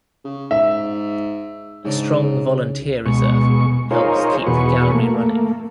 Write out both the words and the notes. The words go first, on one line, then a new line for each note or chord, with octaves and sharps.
A strong volunteer reserve helps keep the Gallery running.
C#3
G#2 E5
G#2 C#3 D4
B2 G#3 C#6
D#4 F4 G#4 A#4 C5 C#5
E2 B2 F#4 G#4 B4 C#6
A3 A#3